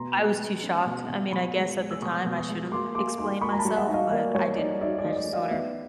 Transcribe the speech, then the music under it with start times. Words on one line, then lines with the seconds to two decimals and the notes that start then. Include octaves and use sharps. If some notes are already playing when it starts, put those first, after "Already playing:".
I was too shocked. I mean, I guess at the time, I should have explained myself, but I didn't. I just sort of,
Already playing: B2 A#5 C6
0.16 G#3
0.39 G#3
0.63 C#4
0.86 B2
1.09 B2
1.32 B2 B5 C#6
1.56 G#3
1.79 G#3
1.91 E6
2.02 B2 C#6 D#6
2.26 B2
2.37 C#6 D#6
2.49 G#3
2.72 A#3 C6 D6
2.95 A#3 C6 D6
3.18 D#4 C6 D6
3.41 A#3 B5 C#6
3.53 A#5
3.59 A5 B5
3.65 G3
3.76 E5 F#5
3.88 D#4
3.94 D#5 F5
4.11 A#3 D5
4.35 G3 C#5
4.58 D#4 D5
4.81 D#4 D5 E5
4.99 D5
5.04 D#3
5.10 D#5
5.16 D5
5.27 D#4
5.33 D#5 F5
5.51 B3 D5 E5